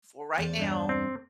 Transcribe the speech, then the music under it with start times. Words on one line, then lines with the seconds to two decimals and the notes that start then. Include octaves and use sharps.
for right now,
0.38 E2 C5 D5
0.59 G2 D4
0.89 C4